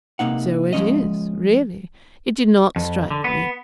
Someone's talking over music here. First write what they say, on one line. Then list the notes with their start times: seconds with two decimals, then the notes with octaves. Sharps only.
'So it is, really; it did not strike me.
0.19 C3 D#3 A#3 D#4 F#5
0.73 F3 G#3 C#4 D#5
2.76 F2
3.10 D3
3.24 B3